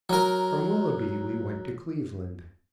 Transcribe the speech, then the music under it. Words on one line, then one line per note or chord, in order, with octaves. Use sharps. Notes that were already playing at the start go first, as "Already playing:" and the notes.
From Willoughby we went to Cleveland.
F#3 A#4